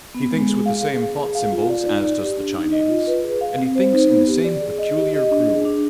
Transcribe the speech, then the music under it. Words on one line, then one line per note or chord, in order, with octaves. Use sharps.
He thinks with the same thought-symbols as does the Chinese, and he thinks in the same peculiar grooves.
B3
G#3
G#4
F5
G#4
F5
G#4
F5
F4
D5
D#4
D5
G4
D4
D#4
D#5
F4
B4
G#4
F5
C4
C5
D#4
B3
G4
D5
G#4
D#5
G4
D#5
D4
G#4
D4